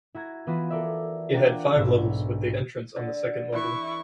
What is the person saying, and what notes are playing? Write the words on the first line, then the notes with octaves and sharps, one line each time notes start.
It had five levels with the entrance on the second level.
E4 F#4 A#5 G#6
E3 B3 F4 F#4 B4
A4 A#4 D5 E5
D4 F4 F#5 G5 A#5
B1 G#2 E6
D3
E3 E4 B4 C#6